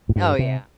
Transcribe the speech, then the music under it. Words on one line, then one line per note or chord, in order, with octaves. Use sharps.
Oh, yeah.
A2
G2
C3